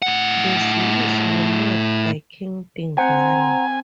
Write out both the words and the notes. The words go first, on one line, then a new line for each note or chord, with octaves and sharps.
The Zulus were led by King Dingane.
A2 F#5
C4 C5 F#5 G#5 A#5